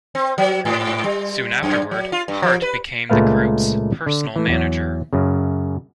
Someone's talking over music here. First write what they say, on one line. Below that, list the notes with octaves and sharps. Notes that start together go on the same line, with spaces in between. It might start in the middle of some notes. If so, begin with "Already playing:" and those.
Soon afterward, Hart became the group's personal manager.
C4
F#3
G#2
G3
F#2
F#3
F4
G2
F3
B4
C#2 A#2 G#3 A3 B4 F5
D3
E3 A3
E2 F#3
F#2 C#3